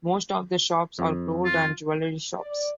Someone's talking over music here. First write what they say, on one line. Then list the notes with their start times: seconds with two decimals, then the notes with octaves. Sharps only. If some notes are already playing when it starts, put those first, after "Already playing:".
Most of the shops are gold or jewelry shops.
0.99 F2
1.45 F4
2.38 D5